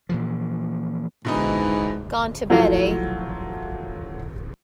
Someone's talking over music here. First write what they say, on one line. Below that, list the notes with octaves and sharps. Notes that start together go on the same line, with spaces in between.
Gone to bed, eh?
A#2 E3 F3
G#2 B2 D3 E3 D#4
F3 F#3 A3 E4 F4